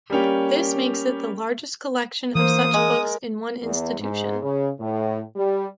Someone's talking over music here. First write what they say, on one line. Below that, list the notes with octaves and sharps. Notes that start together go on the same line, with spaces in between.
This makes it the largest collection of such books in one institution.
G3 A#3 C#4 G4
E3 A#3 C5 D#6
G#3 A#4
E2
G#2
C#3
A2
G3